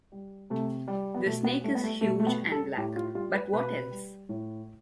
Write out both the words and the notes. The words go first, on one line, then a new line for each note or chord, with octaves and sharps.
The snake is huge and black, but what else?
G3
C3 A3
G3
B3
B2 A3
B3
G3 A3
B3
A3
B2 A3
A3
B3
G3
A4
A2 G4
F4
G3 F4
B4
B2 B4
G3
A2